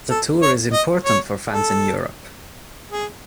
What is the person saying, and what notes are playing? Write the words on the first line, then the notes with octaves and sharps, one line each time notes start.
The Tour is important for fans in Europe.
A4
C#5
D#5
C#5
A4
G#4